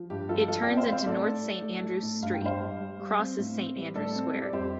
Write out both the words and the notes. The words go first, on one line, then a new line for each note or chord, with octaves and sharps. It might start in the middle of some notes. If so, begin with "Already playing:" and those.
It turns into North Saint Andrew Street, crosses Saint Andrew Square.
Already playing: F3
G2 G4
F3 F4 A4
F3 F4 A4
C4 D5 G5
C5 F5
C4 C5 F5
A2 A4 D5
A2
A3
A3
A3
A2
G2 F5
G5
G2 C5 F5
G3
G3
G3
C4
A2
C4
G3
A2 A4 D5
C4
G3
D5
F2 G4 C5